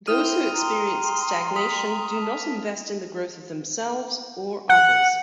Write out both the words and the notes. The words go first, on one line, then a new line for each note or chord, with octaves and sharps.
Those who experience stagnation do not invest in the growth of themselves or others.
E4 C5 G5 D#6 F6 D#7
G5 A#5 C6
D#6 B6
A5
F#5